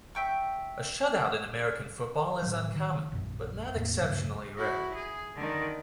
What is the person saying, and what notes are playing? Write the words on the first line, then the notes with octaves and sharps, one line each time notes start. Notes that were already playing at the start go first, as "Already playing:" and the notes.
A shutout in American football is uncommon but not exceptionally rare.
E5 G5 C#6
A2 F#3
D#3
A#1 F#2
E2 A2 A#3
D2 G2 C#3 F#3
E4 F#4
G#4
D3 D#3